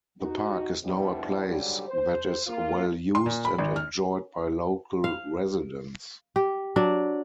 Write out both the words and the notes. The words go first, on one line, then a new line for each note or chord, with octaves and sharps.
The park is now a place that is well-used and enjoyed by local residents.
D#4 F#4
B2 F3 G3 C4 D4 E4
G#2 D3 F#3 G3
C5
A#3 F4
C6
A#2
B5
G#1
F6
F5
G4
F#3 D4